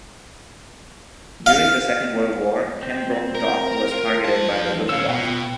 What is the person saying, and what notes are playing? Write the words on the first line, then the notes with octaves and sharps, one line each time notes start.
During the Second World War Pembroke Dock was targeted by the Luftwaffe.
F5
C4
A#4
F4
F2 A5
D#2 C#4 F5 E6
B2 F4 B4 G5